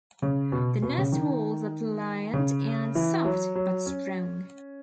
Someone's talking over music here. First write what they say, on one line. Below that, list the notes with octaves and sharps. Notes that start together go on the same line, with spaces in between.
The nest walls are pliant and soft but strong.
C#3
B2
B2
C#3
D#3
C#3
E3
F#3
F#3
C#4